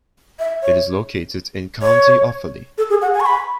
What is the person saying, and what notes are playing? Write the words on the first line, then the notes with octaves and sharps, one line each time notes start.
It is located in County Offaly.
E5
C#5
C#5
A4
G#4
F#5
G#5
C#6
B5